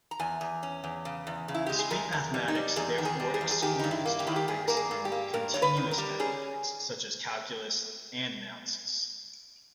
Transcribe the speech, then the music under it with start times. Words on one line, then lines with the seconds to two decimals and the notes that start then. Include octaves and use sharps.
Discrete mathematics therefore excludes topics in "continuous mathematics" such as calculus and analysis.
0.11 A#5
0.19 E2 G#5
0.41 E2
0.63 C#4
0.84 E2
1.05 C#3
1.27 E2
1.48 C#3
1.54 E4
1.66 G#3 G4
1.79 G#4
1.90 E2 A#4
2.12 E2
2.34 G3
2.48 D#4
2.55 G3
2.76 E2 G#4
2.98 D#3
3.05 G#4
3.20 G3
3.34 G#4
3.41 E2
3.51 G#4
3.62 D#3 G4
3.79 G2 D#4
3.91 E4
4.05 A#3
4.20 G4
4.27 D#3 E4
4.36 G4
4.48 G2 G#4
4.68 A#3 A#4
4.77 G#4
4.91 G2
5.05 G4
5.12 A#3
5.33 G2 A#4
5.54 G2 C#5
5.62 B4
5.77 D#3
5.91 A#4
5.98 G3
6.19 C#4 G#4